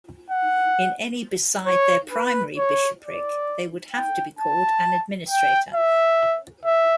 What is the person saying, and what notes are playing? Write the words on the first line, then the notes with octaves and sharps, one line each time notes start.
In any beside their primary bishopric, they would have to be called an "administrator".
F#5
C#5
B4
C#5
D5
G5
A5
G5
E5
E5